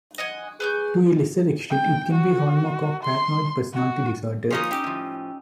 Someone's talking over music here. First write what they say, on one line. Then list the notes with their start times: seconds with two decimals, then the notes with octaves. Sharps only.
To a lesser extent, it can be a hallmark of paranoid personality disorder.
0.18 D#5 F#5 G#5
0.60 G#4 B4 C#6 G6
1.69 G5
2.12 F#4
3.02 C6
3.73 F#4
4.50 F3 A#3 C#4 D#4 D#5
4.71 C#4 D#4 G4 G5 E6
4.84 A2 F3